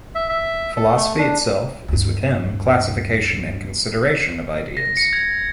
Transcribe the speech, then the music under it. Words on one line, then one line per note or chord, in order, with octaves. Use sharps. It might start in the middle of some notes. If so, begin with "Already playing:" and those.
Philosophy itself is with him classification and consideration of ideas.
E5
E5
A4
A3
D4
D2 G2
A#6
C#7
G#6